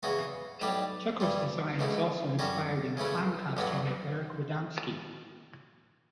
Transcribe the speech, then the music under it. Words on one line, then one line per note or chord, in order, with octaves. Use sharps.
Chucko's design was also inspired in a clown costume of Eric Radomski.
E2 C#3 E3 B3 F#4
B1 A2 G3 D4 G4
G2 E3 G3
C#2 B2 A3 E4
F#2 D3 G3 C#4 F#4
C#3 E3 A3 C#4 E4
A1 G2 D3 F#3 B3